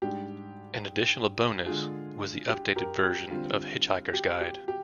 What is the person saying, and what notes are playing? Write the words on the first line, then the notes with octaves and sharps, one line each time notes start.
An additional bonus was the updated version of "Hitchhiker's Guide".
G#2 G3 D4 G4
D3 G#3 D4 F4 G#4
G4
G4 A#4
G4
D3 G3 C4 F4
G4
G4
G4